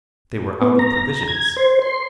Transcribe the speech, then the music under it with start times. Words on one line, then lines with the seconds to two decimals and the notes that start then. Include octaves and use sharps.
They were out of provisions.
0.61 B3
0.79 A#5
1.28 G#6
1.56 C5
1.82 C6